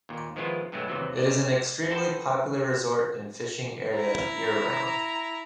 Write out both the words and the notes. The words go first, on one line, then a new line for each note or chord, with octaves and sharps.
It is an extremely popular resort and fishing area year round.
D#2 A#2
D#3 F3 G#3 B3 E4 F4
G2 B2 F#3 G#3 A3
D#2 C3 E3 F#3
D5 D#5
A4 B4 C5 F#5 G5 A5
E4 A#5